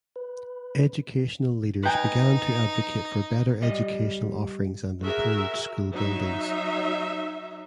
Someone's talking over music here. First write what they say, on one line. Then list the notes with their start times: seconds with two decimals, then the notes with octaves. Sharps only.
Educational leaders began to advocate for better educational offerings and improved school buildings.
0.16 B4
1.83 D#4 B4 G5 G#5
3.62 G3 D#5
5.01 F#4 G#4 A#4 E5
5.92 F#3 D#4 E5